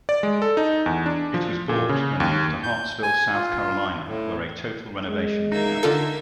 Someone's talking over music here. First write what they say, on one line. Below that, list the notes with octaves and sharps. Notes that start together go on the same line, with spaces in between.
It was bought, then moved to Hartsville, South Carolina where a total renovation began.
D5
G#3
A4
D#4
E2
D4
F3
A#2
C#3
D#2
G6
G#5
F4
A2
G#3
A#3 D#4 E5
D3 F4 A4